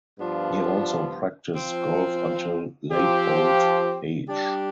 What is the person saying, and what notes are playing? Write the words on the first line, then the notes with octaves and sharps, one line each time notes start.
He also practiced golf until late old age.
G2 F3 B3 D4 F4
F3 C4 F4
F3 C4 G4
G3 D4 G4